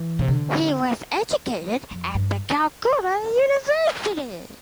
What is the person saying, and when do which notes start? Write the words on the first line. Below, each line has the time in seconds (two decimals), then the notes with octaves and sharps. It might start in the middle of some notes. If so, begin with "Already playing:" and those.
He was educated at the Calcutta University.
Already playing: E3
0.19 C3
0.28 D3
1.91 F2
2.14 G2